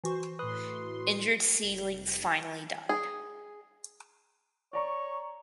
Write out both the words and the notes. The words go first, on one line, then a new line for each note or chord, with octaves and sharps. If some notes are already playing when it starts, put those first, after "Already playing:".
Injured seedlings finally died.
E3 F#4 C5 C#6
A2 B4 C6 D#6 F#6
F1
G#4
C#5 D5 A#5 C#6